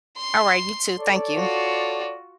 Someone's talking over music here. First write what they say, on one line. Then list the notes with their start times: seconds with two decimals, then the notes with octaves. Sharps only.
All right, you too. Thank you
0.18 C6
0.98 A4 C#5 D5
1.36 F4 F#4